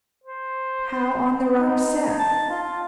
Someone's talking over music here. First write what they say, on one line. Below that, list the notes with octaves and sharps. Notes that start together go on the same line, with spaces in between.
"How on the wrong scent?"
C5
D#4
A5
F4